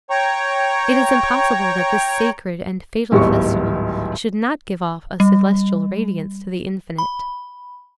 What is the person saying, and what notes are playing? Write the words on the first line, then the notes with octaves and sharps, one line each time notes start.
It is impossible that this sacred and fatal festival should not give off a celestial radiance to the infinite.
C#5 G5 A#5 C#6
D1 G#1 G3 B3 C#6
G3
B5